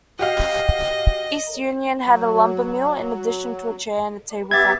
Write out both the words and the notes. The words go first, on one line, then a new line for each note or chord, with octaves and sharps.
East Union had a lumbermill, in addition to a chair and table factory.
F#4 G4 D#5 F5
F#3
B3 G4 E5 G#6 A6